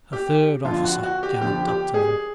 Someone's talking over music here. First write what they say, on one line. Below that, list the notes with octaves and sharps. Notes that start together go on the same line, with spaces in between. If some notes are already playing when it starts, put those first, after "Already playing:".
A third officer galloped up to them.
G4
F2 D3 F3 F4
F#4
F#4
G4
F2 D3 F3 G4
G4
G#4